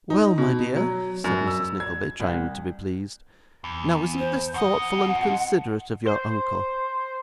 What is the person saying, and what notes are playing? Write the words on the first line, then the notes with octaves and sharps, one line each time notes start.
'Well, my dear,' said Mrs Nickleby, trying to be pleased, 'now isn't this thoughtful and considerate of your uncle?
D#4
B2
F#3
F#2
E6
G#6
C2
E2
C5
F2 D#5 F#5
C5